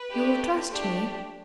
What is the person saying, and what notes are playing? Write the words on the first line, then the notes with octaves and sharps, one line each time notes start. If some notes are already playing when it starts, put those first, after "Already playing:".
You'll trust me?
Already playing: B4
A3 D4 G4
A3 D4 G4